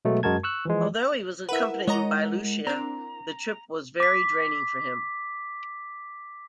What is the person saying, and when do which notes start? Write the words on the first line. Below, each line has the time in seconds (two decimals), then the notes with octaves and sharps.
Although he was accompanied by Lucia, the trip was very draining for him.
0.05 B2 F#3 G#3 A3 B3
0.23 F#2 G#3 F#4 A#4 A5 G#6
0.43 C#6 E6 F#6
0.65 E3 F3 G#3
1.49 E4 A#4 B4 E5 F#5
1.87 G#3 C#5 D#5 A#5
2.67 C4 D4 A#5
4.00 D6 B6